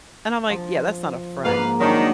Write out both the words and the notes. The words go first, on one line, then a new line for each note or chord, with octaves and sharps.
And I'm, like, "Yeah, that's not a friend."
F3
G#2 A#3 B4 F5
D#3 F#3 D4